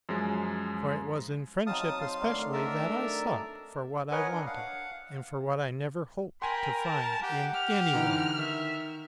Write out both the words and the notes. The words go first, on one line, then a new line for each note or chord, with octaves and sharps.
For it was in friendship especially that I sought for what I wanted, and for what I never hoped to find in any woman.
F#2 F3 G#3
F#3 C4 D#4 F5 A5 D#6
F5 C6
D3 D#3 A3
D4 A#4 D#5 E5 C6
A#4 B4 C#5 D#5 F#5 G#5
D4
F5 F#5
A#4 G5 G#5 B5 C6
A5
G4 F#5
G4 F6
D3 E3 D#4
D#3 E5